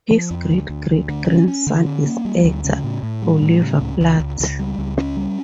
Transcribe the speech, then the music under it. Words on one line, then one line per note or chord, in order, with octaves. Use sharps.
His great-great-grandson is actor Oliver Platt.
F3
F2
D2
D2
D2
D3
C#4
C#4
D3
C#4
A#3
G3
D2
C#3
A2
A2
G3
A2
C#3
C#2
C#2
C#2
C#2
G3
C#2
C#4
G3